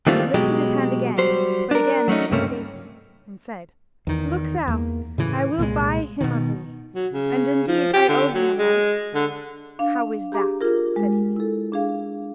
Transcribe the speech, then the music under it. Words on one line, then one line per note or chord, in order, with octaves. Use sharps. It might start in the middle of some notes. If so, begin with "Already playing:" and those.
And he lifted his hand again, but again she stayed him, and said: "Look thou, I will buy him of thee: and, indeed, I owe him a life." "How is that?" said he.
D#3 E3 G3 A3 C4 F4
B2 F#3 G#3 G4
F#3 G3 C5
D4 A#4
F#3 A3 C#4 D#4
C#2 G2 C3 A3 A#3 C#4
E2 D#3
E2 A#3
A2 C#3 E3
C2 A#2 G3 G#3
B2 D#3
F#3
C#3
F3
G4
D3
F#3
G#3
D3
D4 F5
G4 G#4 A#5 D6
F4 G#4 A#4
G#3
E4 A4
D4 G#4 F5